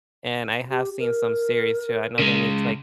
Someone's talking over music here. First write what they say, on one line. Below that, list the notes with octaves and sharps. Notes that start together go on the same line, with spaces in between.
And I have seen some series too. I know they make like
G4
A#4
C#3 G#3